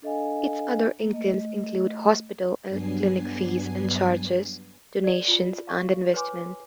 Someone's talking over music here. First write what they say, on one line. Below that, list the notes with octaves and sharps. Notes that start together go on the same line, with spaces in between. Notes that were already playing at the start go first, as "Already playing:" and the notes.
Its other incomes include hospital and clinic fees and charges, donations, and investment.
D4 A4 D#5 F5 G#5
A#3
A3 D#5
G2 F#3 B3 D4 G#5 C7
D5
F4 A5
F5 A5 C#6
B4 C#5 G#5 C6 D6